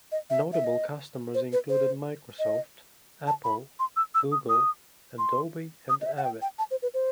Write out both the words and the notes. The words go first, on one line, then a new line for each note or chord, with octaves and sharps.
Notable customers included Microsoft, Apple, Google, Adobe and Avid.
D#5
E5
E5
D#5
C5
B4
C5
D#5
A5
B5
C6
E6
E6
D#6
D#6
C6
D#6
D#5
E5
F#5
G5
G5
A5
C5
B4
C5